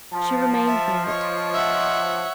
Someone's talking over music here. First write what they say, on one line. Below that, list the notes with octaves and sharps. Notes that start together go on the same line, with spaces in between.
She remained mute.
F3 A5
E5
C#5 D#5
E5 F#5